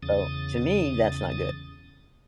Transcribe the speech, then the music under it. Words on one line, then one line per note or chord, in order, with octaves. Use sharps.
So, to me, that's not good,
E2 C#3 D#6 A6